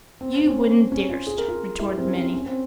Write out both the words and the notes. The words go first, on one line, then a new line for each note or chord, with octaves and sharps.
"You wouldn't darst," retorted Minnie.
C4
C4
C#4
C#4
C#4 F4
G#4
A#4
F4 G#4
E4 G4
C4
C#4
C4
C#4
C4